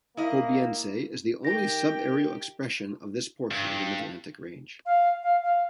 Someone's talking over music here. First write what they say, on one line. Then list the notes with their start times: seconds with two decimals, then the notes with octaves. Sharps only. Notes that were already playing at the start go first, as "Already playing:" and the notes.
Kolbeinsey is the only subaerial expression of this portion of the Mid-Atlantic Ridge.
0.17 A#3 E4 D#5
1.45 D#3 G4 G5 A#6
3.51 G2
4.86 F5
5.23 F5
5.43 F5